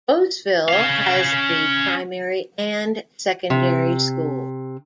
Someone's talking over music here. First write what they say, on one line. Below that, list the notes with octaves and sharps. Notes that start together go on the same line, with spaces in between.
Bosvil has a primary and secondary school.
C#4 F5
C3